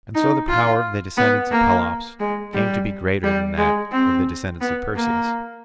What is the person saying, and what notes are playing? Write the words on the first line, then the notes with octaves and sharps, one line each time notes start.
And so the power of the descendants of Pelops came to be greater than that of the descendants of Perseus.
D#4
F4
B3
A#3
G#3
G3
G3
G#3
C4
B3
A#3